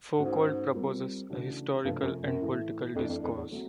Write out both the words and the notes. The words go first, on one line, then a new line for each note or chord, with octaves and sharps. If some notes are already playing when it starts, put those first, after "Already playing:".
Foucault proposes a "historical and political discourse".
G#2 A3 C#4 F#4
G3 C4 F4 A#4
C#3 E3 A3 D4 F#4
G2 C3 F3 A3
F#2
F#2
A2 E3 A3
F2 E3 A3 D4
F2
F2
E2
F#3 A3 C4